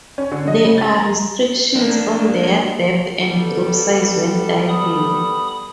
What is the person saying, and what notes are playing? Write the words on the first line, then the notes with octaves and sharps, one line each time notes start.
There are restrictions on their depth and group size when diving.
C#4
D3
D#5
C#3
A6
A#5
A#3 D4
G3 B3 A4
B5 D#6